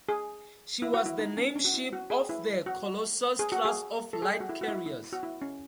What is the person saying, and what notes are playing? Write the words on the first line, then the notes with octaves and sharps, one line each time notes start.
She was the name-ship of the "Colossus" class of light carriers.
G#4
E4
F#4
E4
D#4
C#4
C#4
F#4
E4
F#4
G#4
E4
F#4
G#4
F#4
G#4
A4
G#4
F#4
E4
F#4
E4
E4
F#4
E4
C#4